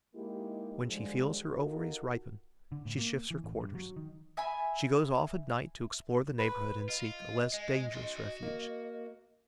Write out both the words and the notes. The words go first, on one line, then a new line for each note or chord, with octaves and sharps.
When she feels her ovaries ripen, she shifts her quarters; she goes off at night to explore the neighbourhood and seek a less dangerous refuge.
G#3 A#3 D#4 E4 G4
D3 F3 G3 G#3
D#4 F4 F#4 A4 A#4
D3
A2
A#3
E3
A1
G2
F#3
D#3
E5 G#5 B5
B4
F4 D#5
G#3
F#4 C6
A#3